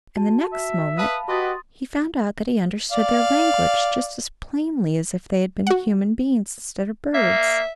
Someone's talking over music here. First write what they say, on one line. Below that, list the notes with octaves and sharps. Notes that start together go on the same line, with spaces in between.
And the next moment he found out that he understood their language just as plainly as if they had been human beings instead of birds.
F#4 A5
E5
B4 F5 A5 B5 D#6
F#4 G4 B4 D#5 C6 D#6 A6
D5 F5
F#4 F#5
A#3 E5